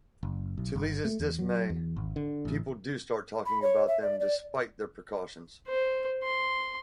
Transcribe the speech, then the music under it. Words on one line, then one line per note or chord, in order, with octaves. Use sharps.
To Liza's dismay, people do start talking about them despite their precautions.
F#1
B1
G1
A3
E2
F#3
E2
G#1
D3
A1
B5
C#5
E5
D5
D5
C5
C6